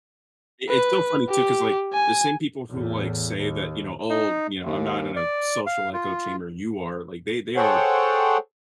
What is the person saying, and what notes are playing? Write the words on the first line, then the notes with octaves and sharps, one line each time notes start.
I it's so funny, too, 'cause, like, the same people who, like, say that, you know, "Oh" you know, "...I'm not in a social echo chamber. You are." Like, they they are
B4
G4
G#5
E2 A2
D#2
D#4
D#2
D5
F5
F4
G#4 A4 C5 C#5 F#5 G5